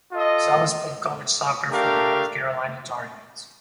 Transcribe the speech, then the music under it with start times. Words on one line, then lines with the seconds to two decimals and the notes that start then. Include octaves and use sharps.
Salas played college soccer for the North Carolina Tar Heels.
0.13 F4 A4 D#5
1.70 A3 D4 G4 A#4 F5